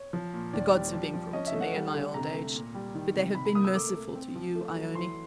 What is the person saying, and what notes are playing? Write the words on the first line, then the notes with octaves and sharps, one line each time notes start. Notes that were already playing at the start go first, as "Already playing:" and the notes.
The gods have been cruel to me in my old age; but they have been merciful to you, Ione.
Already playing: C#5
F3
A#2
D#2 D5
G3
F3
F3
C#4 D#5
E5
A3
F#5
G3
D3
C3 A#5
A3
A#2
G3
D#3
C3
C3 B5
B5
A#3 D#6
E6
A3 D6
A3
C4
F3
A3
F#3
E3 C6